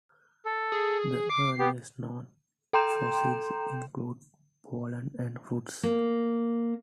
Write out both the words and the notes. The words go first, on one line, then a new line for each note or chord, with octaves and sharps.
The earliest known fossils include pollen and fruits.
A4
G#4
D6 C7
B3 G4
A4 G5 A#5 C6 G6 E7
A#3